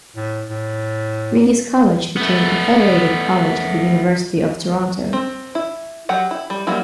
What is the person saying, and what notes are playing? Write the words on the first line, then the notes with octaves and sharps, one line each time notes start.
Regis College became a federated college of the University of Toronto.
A2
A2
A3 B3
C4
E4
F#3 G4 F#5
E4
G3
F#3 G3 A#3 E4